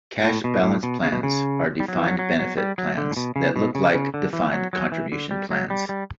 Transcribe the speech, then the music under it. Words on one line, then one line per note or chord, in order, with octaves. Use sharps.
Cash balance plans are defined-benefit plans that look like defined-contribution plans.
A2
B2
A2
B2
C#3
B2
C#3
G3
F#3
E3
F#3
F#3
F#3
G3
F#3
D3
A2
B2
C#3
B2
C#3
C#3
D3
E3
F#3
F#3
E3
D3
G3
F#3
G3
G3